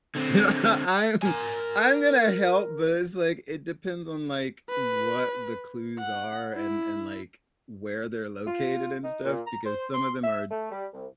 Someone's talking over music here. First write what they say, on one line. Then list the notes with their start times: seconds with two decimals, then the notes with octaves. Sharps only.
Yeah, I'm I'm gonna help, but it's, like, it depends on, like, what the clues are and and, like, where they're located and stuff, because some of them are
0.15 D3 C4
1.22 A#4 G#5
4.70 B4
5.99 F#5
6.55 E4
8.47 F4
9.04 D#4
9.25 A#2
9.47 A#5
9.65 C5
9.94 C6
10.24 E5
10.51 A3
10.71 G3
10.94 C2